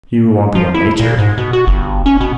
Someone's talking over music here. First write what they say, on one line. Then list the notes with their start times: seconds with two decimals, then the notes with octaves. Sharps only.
"You won't be ill-natured?"
0.55 F3
0.74 E4
1.00 A#2
1.19 G#2
1.38 B2
1.53 F#4
1.67 G1
2.06 C#4
2.21 B2